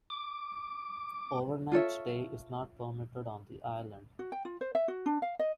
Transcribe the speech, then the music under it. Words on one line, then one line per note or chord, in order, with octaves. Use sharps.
Overnight stay is not permitted on the island.
D6
F4 A4 C#5 E5
F#4
G5
F4
C5
E5
F#4
D4
F5
D#5